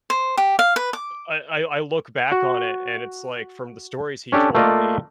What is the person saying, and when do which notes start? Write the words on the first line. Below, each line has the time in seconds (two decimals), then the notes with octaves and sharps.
I I I look back on it, and it's like, from the stories he told me,
0.10 C5
0.37 G4
0.59 F5
0.76 B4
0.93 D6
2.32 F#4
4.32 C#4 D4 G4 A4
4.55 A3 A#3 F4 D5 D#5 F5